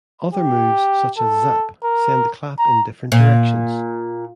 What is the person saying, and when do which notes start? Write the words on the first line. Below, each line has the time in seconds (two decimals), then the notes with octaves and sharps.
Other moves such as "zap" send the clap in different directions.
0.34 G4
1.18 A4
1.84 A#4
2.59 A#5
3.12 A#2